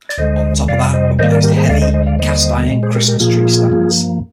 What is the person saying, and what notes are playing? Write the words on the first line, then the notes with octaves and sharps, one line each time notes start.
On top of that were placed heavy cast iron Christmas tree stands.
D5
D2 D3 G#3 C5 D#5
F2 C3 G3 D5 F5
C5 D#5
G#2 D#3 G3 A#3 C5 D#5
A#4 D5
G4 A#4
G#4 C5
D2 D3 G#3 D5 F5
C5 D#5
C5 D#5
D5 F5
D#2 D3 G3 A#3 C5 D#5
A#2 G#3
G#4 C5
G4 A#4
G4 A#4
A#2 F3 A#3 F4 G#4
G2 F3 A#3